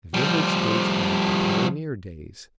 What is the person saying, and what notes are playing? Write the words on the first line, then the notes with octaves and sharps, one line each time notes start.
The village dates back to pioneer days.
F3 G3